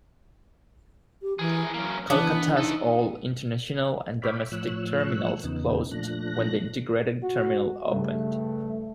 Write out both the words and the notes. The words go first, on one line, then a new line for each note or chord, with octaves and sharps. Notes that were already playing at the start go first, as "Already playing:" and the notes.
Kolkata's old international and domestic terminals closed when the integrated terminal opened.
G4
E3 G#4 A#4
F#3 A#3 C#4
E3 B3 D4
D#4 A4 D#5
C#5 D5 E5 F5 G5 B5
A2 F3 C#5 E6 F#6
E2 C#3 B3 D#4
A#2 F3 A3 D4 F#6 A#6
F#4
G2 C#3 A3